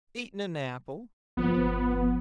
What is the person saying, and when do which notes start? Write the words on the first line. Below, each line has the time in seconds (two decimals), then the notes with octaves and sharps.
"Eatin' 'n apple."
1.37 G1 F3 B3